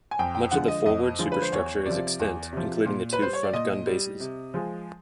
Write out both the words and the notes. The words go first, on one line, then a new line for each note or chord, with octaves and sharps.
Much of the forward superstructure is extant, including the two front gun bases.
G#5
F2 G5
G5
D3 F3 G#3 F#5
D#5
F2 D#5
D3 F3 G#3
B4
C5
E2 C#5
C3 D5
F3
E2
C3 F3
A#2
B4
G3 C5
C#5
D5
A#2 D#5
G3
C3
F3 G#3